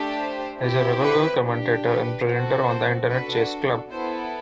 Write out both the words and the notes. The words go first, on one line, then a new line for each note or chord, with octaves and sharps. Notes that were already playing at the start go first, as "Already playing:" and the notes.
He is a regular commentator and presenter on the Internet Chess Club.
Already playing: A3 D4 G4
C5
C4 E4 G4
B4
D4 G4
B4
C4 F#4 A4
C5
D4 F#4 A4 B4
B3 E4 A4 C5